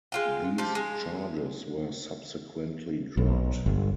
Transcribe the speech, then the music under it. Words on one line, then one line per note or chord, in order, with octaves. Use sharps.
These charges were subsequently dropped.
G#3 F4 G5
F3 G4
G#3
B1
G1